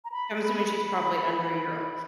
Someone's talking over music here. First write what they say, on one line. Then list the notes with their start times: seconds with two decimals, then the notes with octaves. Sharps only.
I'm assuming she's probably under a year old.
0.05 A#5
0.12 B5